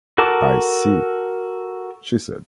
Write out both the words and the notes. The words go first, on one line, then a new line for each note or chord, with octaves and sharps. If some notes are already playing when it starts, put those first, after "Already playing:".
"I see," she said.
F#4 A4 A#4 A5 D6